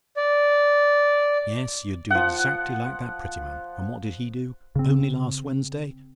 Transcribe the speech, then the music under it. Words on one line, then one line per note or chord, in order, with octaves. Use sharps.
Yes; you'd do exactly like that Prettyman, and what did he do, only last Wednesday?
D5
F3 F#5
C#3 C4